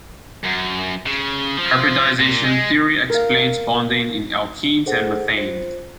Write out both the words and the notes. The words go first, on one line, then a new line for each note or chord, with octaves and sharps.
Hybridisation theory explains bonding in alkenes and methane.
F#2
C#3
F3
A#2
G#3
A#4 F5
G#4 A4 C5 F#5
F4 C5